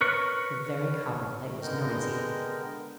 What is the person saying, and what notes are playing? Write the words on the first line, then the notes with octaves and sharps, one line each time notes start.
The very copperplate was noisy.
A#4 B4 C#5 C#6
D3 G#3 B3 A#4 D#5 G5